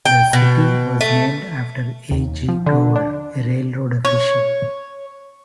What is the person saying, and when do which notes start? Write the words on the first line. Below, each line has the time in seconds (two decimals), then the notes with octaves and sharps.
The city was named after A. G. Gower, a railroad official.
0.05 G5
0.33 B2
1.01 A3
2.11 D#2
2.48 F3
2.66 D3
2.96 D4
4.05 C#5